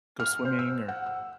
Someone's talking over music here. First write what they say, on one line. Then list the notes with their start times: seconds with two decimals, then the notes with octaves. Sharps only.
go swimming, or
0.20 F6
0.45 C5
0.59 E6
0.88 F#5
1.06 E6